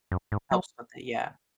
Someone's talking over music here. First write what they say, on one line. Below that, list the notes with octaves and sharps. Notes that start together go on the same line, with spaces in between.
Helps with it, yeah.
F#2
G#2
F#3